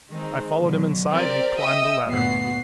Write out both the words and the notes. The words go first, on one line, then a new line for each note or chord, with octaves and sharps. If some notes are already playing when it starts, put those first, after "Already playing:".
I followed him inside and he climbed the ladder.
D#3 G#3 C4 D#4
B2 D3 F#3
C4 G4 A#4 D5
D#5 E5 G5 D#6 E6
G1 D2 A#2 B3 F#4 C7